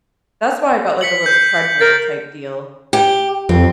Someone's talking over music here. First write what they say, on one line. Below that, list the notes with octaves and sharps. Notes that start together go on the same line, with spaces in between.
that's why I got, like, a little treadmill type deal.
B6 C#7 F#7
G6 C7
A#4 A6
G4
F2 C4